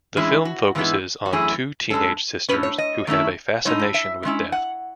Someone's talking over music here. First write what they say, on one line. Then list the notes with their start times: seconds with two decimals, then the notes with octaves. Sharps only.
The film focuses on two teenage sisters who have a fascination with death.
0.16 A2 E3 G#3 C#4 E4
0.45 F#4
0.75 G#2 E3 G#3 B3 E4
1.26 F#4
1.33 F#2 E3 A3 C#4 E4 G#4
1.90 A2 G#3 C#4 A4
2.49 A2 G#3 C#4 B4
2.63 C#5
2.78 D#5
3.07 D#3 A3 C#4 E4
3.65 A2 G#3 D#4 C#5
3.79 D#5
3.94 E5
4.23 A2 G#3 C#4 E4
4.52 F#5